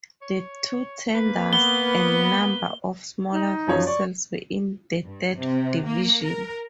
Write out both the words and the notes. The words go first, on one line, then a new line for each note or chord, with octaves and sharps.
The two tenders and number of smaller vessels were in the third division.
C#5
A#3 B4
B3 G7
D#4
F#2 F3 C#5
D5 C#6
G2
C3
A#3
A#4